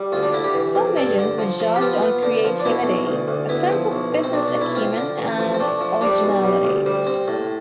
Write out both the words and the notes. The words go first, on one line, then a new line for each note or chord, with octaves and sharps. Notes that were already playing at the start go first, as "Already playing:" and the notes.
Submissions were judged on creativity, a sense of business acumen and originality.
Already playing: G3
D2 F4
D4
D3 E4
G4
E3
F2
G2 A4
D3
F3
F3
G4
B3 F4
B3
D3
F3
D4
B2 E4
B1
D2
D2
B3 E4
F3
B1
B1
C4
B1 D4
D4
B1
E4
C4 F4
D3
A1
F3
C4
A3 D4
F3
G3 D4
B1
G3
D2
G3 C5
C4
A2